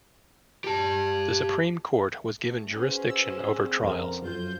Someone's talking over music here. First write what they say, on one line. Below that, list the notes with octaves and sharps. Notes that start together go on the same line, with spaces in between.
The Superior Court was given jurisdiction over trials.
G4 A5
A3
C#4 F#4 G#4 B4 C5
E6
A#2 D3 C4
F2 A4 A#4
F#2 F4 C5 G6